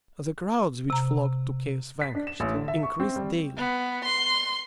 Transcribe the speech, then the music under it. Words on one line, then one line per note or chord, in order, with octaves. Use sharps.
The crowds which flocked to "Chaos Vanquished" increased daily.
C3 A#5
B6
D4
E7
A1
D3
E5
C#6
C4
G3
B3
C6